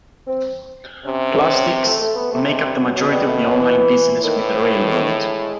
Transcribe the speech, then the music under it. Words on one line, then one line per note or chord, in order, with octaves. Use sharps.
Plastics make up the majority of the online business with the railroad.
C4
C3 C#4
C4
A3
A3
B3
C3 A3
G#3
G3
F#3
B2 F#3
G3
A3
F#3
E3
A2 D#3
E3
F3
E3
G#3